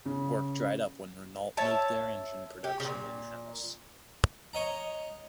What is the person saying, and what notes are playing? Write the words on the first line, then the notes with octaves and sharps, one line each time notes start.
Work dried up when Renault moved their engine production in-house.
C#3
C#5 E5 A5
G4
A#2 C#3
C#5 D#5 A#5